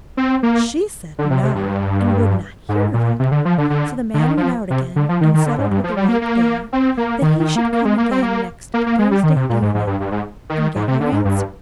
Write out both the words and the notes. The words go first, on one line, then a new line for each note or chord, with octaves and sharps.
She said no, and would not hear of it; so the man went out again, and settled with the White Bear that he should come again next Thursday evening, and get her answer.
C4
A#3
D3
C3
C3
G2
G#2
A#2
C3
D3
F3
D3
D3
D3
D#3
F3
C3
D3
F3
D#3
D#3
D3
G#2
G2
F3
G3
A#3
A#3
C4
A#3
D#3
D#3
A#3
A#3
G#3
A#3
C4
A#3
A#3
A#3
G#3
G3
D#3
C3
A#2
G#2
G#2
G2
G2
G#2
D#3
G#2
C3
D3
G#2
G2